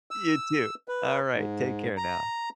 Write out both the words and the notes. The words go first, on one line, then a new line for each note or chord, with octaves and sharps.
you too, alright, take care now.
E6
B4
G#2
A#5